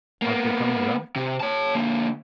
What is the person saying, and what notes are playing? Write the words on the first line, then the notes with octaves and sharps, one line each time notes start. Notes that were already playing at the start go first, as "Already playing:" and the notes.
"Aren't they coming back?"
A#3 B3
C3
C#5 A5
D3 A#3